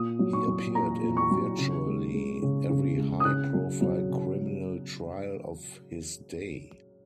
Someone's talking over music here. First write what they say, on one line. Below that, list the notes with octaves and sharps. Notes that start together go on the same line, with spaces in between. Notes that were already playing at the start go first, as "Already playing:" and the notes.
He appeared in virtually every high-profile criminal trial of his day.
Already playing: A#2 D#6
F#3
C#6
F#3
A#2 A#5
A#2
C#6
F#3
C#3
G#3
G#3
C#3
C#3
G#3
D#6
C#3 F#6
F#3
F#3
C#3